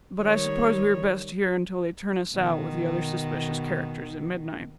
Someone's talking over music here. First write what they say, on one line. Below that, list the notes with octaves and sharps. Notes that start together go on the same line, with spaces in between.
But I suppose we are best here until they turn us out with the other suspicious characters, at midnight.'
D#3 G3 C#5
B2 D#3